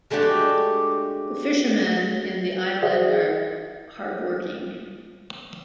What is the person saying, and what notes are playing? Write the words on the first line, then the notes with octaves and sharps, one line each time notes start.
The fishermen in the island are hard working.
G#3 A3 D4 F#4 G4
F#4 G#4 C5 D5 E5 F#5